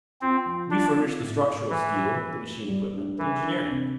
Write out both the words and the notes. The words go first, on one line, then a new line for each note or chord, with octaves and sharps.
We furnish the structural steel, the machine-equipment, the engineering.
C4 F4
F3
D4 F4
C4
A2
A2
E3 A3
F4
A#3
A#3
G3
D4
E3 A#4
D4
C3